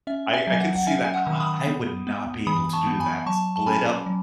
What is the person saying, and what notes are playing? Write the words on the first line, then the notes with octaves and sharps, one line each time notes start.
I I could see that ah, I would not be able to do that, split up
C#4 E5
E5 G#5
F#3
G#5
F#5
F#5
C#4 E5 G#5
G#5
F#5
D#3
B5 D#6
B3
B3
E3 B5 D#6
A5 C#6
B3
G#5 B5
F#3 A5 C#6
A5
C#4 G#5 B5
F#3